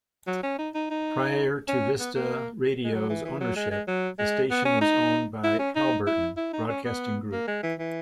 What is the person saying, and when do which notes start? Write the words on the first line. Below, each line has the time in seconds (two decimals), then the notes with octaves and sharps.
Prior to Vista Radio's ownership, the station was owned by Haliburton Broadcasting Group.
0.27 F#3
0.43 C#4
0.59 D#4
0.75 D#4
0.90 D#4
1.68 C#4
1.99 B3
2.15 A#3
2.84 G#3
2.93 F#3
3.09 E3
3.25 E3
3.40 F#3
3.56 G#3
3.71 G#3
3.87 F#3
4.19 G#3
4.51 B3
4.65 C#4
4.81 D#4
5.44 E4
5.59 C#4
5.75 D#4
6.07 E4
6.37 E4
6.53 D#4
6.69 C#4
6.85 B3
7.32 A#3
7.47 G#3
7.63 E3
7.79 E3